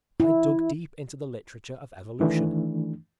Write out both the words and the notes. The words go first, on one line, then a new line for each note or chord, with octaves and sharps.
I dug deep into the literature of Evolution.
E4
D#3 E3 A3 D4